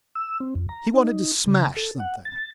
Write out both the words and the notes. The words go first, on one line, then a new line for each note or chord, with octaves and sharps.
He wanted to smash something.
E6
C4
F2
A#5
D#4
C#3
A4
F#5
A6